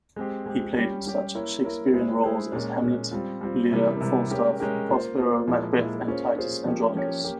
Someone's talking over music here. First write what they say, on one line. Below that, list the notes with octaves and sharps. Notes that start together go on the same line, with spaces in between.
He played such Shakespearean roles as Hamlet, Lear, Falstaff, Prospero, Macbeth and Titus Andronicus.
G#3 C4 G4
G#3 C4 G4
G3 C#4 G4
G3 C#4 G4
A#3 E4 A#4 C#5
A#3 E4 A#4 C#5
G#3 E4 G#4 C5
G#3 E4 G#4 C5
A#2 G#3 C#4
A#2 G#3 C#4
G3 C4 F4
G3 C4 F4
C3 E3 G3 A#3
C3 E3 G3 A#3
G#3 C#4 G4 A#4
G#3 C#4 G4 A#4
A#3 F4 C5
A#3 F4 C5
A#2 F3 G#3 E4
A#2 F3 G#3 E4
A#3 C#4 F4 G#4 C5
A#3 C#4 F4 G#4 C5
F3 A#3 C#4 G4 C#5
F3 A#3 C#4 G4 C#5
A#3 C#4 G4